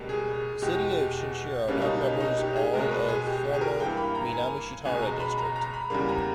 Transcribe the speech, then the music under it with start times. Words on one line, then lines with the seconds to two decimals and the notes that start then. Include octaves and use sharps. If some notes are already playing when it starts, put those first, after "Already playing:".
The city of Shinshiro now covers all of former Minamishitara District.
Already playing: C#2 B2 G3 A#3
0.09 G#4
0.62 E2 B2 G#3 G4
1.68 C#2 B2 G3 A#3 C#4
1.82 D#4
1.94 D#4
2.07 C#4
2.20 D#4
2.39 G4
2.56 G#4
2.73 C#2 B2 G#3 A#4
2.91 B4
3.08 G#4
3.27 G4
3.44 G4
3.54 G#4
3.61 A#4
3.80 G2 E3 A#3 G5
3.97 B5
4.15 A#5
4.33 G#5
4.85 C#2 B2 G#3 G#5
5.02 A#5
5.20 B5
5.38 A#5
5.56 A#5
5.74 B5
5.90 E2 C#3 G3 A#3 B5
6.09 A#5